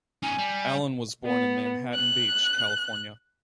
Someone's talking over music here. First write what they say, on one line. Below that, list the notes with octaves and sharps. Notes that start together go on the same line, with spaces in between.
Allen was born in Manhattan Beach, California.
C#4 D#4 G#5
G3
B3
F#6